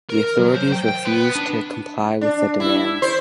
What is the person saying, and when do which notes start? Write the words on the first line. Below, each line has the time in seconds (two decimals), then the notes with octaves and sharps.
The authorities refuse to comply with the demand.
0.10 A#4
0.38 F#3
0.54 C5
0.72 G5
0.88 G5
1.05 B3
1.35 D4
2.21 D4
2.60 E4
3.02 C5